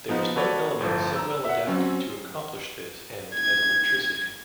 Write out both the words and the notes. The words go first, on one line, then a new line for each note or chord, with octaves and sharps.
There is no element so well adapted to accomplish this end as electricity.
F3 B3 D#4
F#4 A4 B4 C#5 D5
G1 A2 F3 A4 C5
A#5 E6
E5 F#5
F#3 C4 C#4
G#6